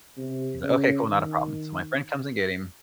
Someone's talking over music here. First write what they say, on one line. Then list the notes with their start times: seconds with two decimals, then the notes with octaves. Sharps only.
He's like, "Okay, cool, not a problem." So my friend comes and get him,
0.17 C3
0.63 C#3
1.09 D#3